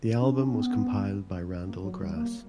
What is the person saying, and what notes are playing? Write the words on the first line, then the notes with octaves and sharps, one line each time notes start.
The album was compiled by Randall Grass.
C#4
C#4
B3
A#3
F#3
G3
A#3